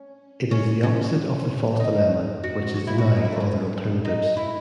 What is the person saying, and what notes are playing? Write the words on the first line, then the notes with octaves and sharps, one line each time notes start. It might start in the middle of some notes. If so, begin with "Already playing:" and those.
It is the opposite of the false dilemma, which is denying other alternatives.
Already playing: C#4
C#4
C#4
D#4
F#4
F#4
E4
F#4
D#4
E4
A3
C#4
D#4
E4